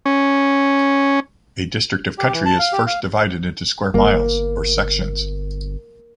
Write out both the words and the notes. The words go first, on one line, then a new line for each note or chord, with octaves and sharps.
A district of country is first divided into square miles, or sections.
C#4
G4
E3
A5
F5
G4
F5
G1 A#3